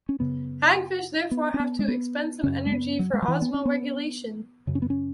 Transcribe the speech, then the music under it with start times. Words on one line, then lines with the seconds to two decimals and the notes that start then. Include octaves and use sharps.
Hagfish therefore have to expend some energy for osmoregulation.
0.09 C#4
0.19 F#2 C#3 B3
1.31 B3
1.54 C#4
1.60 B3
1.79 G#3
1.88 B3
2.43 F#2 C#3 C#4
2.66 G#3
2.72 B3
2.99 F#3
3.13 G#3
3.22 F#3
3.28 E3
3.42 B3
3.54 C#4
3.65 B3
4.67 F#2 C#3
4.75 C#4
4.82 B3
4.90 C#4